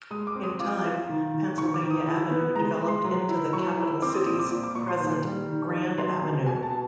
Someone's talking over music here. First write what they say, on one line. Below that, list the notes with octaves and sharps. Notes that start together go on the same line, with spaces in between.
In time, Pennsylvania Avenue developed into the capital city's present "grand avenue".
G#3 D#6
D6
C4
D#6
F4 D6
F4
D#3
D#3
D#3 C#6
D6
D#3
D#6
E4
B3
G#3 A#5
G#3
C6
F#3
E4
F#3 C#6
E4
C4 D6
D#6
A#2 D#6
D6
A#2
D6
A#2 C#6
C6
D#3
G3
D#3
D#4
F#3 C6
B2
B2 G#5
A5
B2